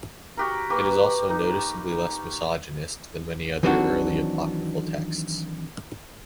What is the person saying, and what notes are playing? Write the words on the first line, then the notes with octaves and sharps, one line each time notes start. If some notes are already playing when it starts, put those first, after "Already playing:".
It is also noticeably less misogynist than many other early apocryphal texts.
F#4 G4 A#4
A#3 F#4 G4 B4
D#4
D#3 E3 F#3 C4 D4 F#4